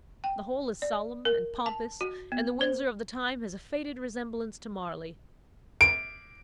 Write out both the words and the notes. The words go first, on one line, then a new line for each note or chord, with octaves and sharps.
The whole is solemn and pompous, and the Windsor of the time has a faded resemblance to Marly.
G5
D5
A#4
A5
F#4
B3
C5
D7